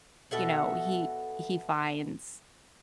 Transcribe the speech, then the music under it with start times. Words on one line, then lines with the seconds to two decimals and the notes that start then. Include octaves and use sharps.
you know, he he finds
0.31 B2 A4 E5 F#5